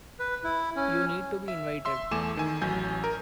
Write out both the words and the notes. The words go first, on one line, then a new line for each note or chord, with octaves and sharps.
You need to be invited.
B4
E4
C#4
E5
E5 C6 E6
E2 A3 G#5 D6 E7
D#3 G#5
A1 F#3 G#5 G6
A#4